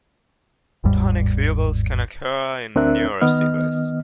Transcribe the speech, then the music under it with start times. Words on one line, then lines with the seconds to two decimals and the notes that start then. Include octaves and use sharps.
Tonic pupils can occur in neurosyphilis.
0.84 G1 D#2 G#2 G3
2.75 D2 C4 D4 A#4 E5 F#6
3.21 D#3 B3 D#5 F6